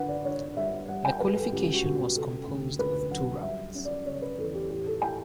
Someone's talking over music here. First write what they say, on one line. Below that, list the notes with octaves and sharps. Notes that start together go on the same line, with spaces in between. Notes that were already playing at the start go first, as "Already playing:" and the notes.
The qualification was composed of two Rounds.
Already playing: D3 D4 B4 F#5
D5
D4 C#5
G3 E5
G3 F#5
G5
G3 B4
A4
C#2 G4
F#4
B2
F#4
C#3 A4
D2
D2 B4
F#3 F#5
G3 E5
C#4
D5
C#3 C#5
B4
E2 A4
G4
A2 G4
A4
A2 G5